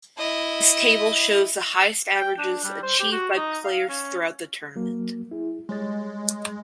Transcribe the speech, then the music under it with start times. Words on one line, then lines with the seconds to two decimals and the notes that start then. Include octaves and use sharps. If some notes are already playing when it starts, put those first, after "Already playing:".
This table shows the highest averages achieved by players throughout the tournament.
0.18 E4 D#5
2.15 G5
2.38 D4
2.64 G3
2.83 C5
3.00 G4
3.12 F#4
3.36 D#4
3.64 F5
3.89 C#4
4.76 F#3 A#3
5.31 E4 G#4
5.69 G3 G#3 C#5 A6